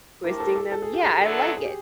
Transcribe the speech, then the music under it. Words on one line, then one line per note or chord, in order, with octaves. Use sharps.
twisting them yeah, I like it.
F3 A3 D4 E4 G4 A#4
A4
A4
A4
G#4
G4
G#4
D3 F#3 B3 E4 A4
G#4
G4